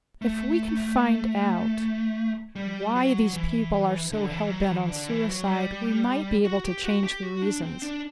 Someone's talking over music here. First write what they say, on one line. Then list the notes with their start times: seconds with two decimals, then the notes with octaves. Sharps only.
If we can find out why these people are so hell-bent on suicide we might be able to change the reasons.
0.22 A3
2.56 G3
2.95 F#3
3.34 E3
4.12 D3
4.31 E3
4.50 F#3
4.70 E3
4.89 D3
5.09 E3
5.28 F#3
5.47 G3
6.44 F#4
6.64 G4
6.84 F#4
7.04 G4
7.23 F#4
7.42 D4
7.62 C4
7.82 D4